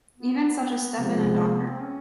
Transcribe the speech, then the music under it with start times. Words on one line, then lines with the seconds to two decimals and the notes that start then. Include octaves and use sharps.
Even such as Stepan and Docker.
0.17 B3
0.99 C3 F3 G#3
1.43 A#3
1.56 B3
1.68 C4
1.81 C#4